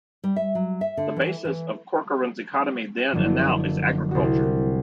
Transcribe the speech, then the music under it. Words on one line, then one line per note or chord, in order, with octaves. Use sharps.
The basis of Corcoran's economy then and now is agriculture.
G3
E5
F#3
E5
D3
E3
E3
F#1 D3 F3
C2 F#4